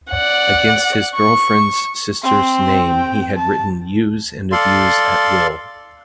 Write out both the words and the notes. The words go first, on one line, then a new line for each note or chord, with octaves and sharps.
Against his girlfriend's sister's name he had written use and abuse at will.
D5 F#5
C#6
C4 C6
G5
A5
A4 D5 F5 C6